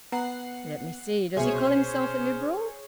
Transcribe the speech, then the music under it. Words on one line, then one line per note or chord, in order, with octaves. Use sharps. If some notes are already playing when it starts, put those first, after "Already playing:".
"Let me see, does he call himself a Liberal?"
B3 F#5 A#5 C7
C2 B2 C#4 G#4 C5 C#5 E5 G#5